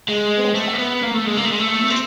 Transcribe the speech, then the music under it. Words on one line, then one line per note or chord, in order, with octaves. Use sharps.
We have said this many, many times.
G#3
A3
A#3
B3
A#3
A3
G#3
A#3
A3
G#3
A3
C4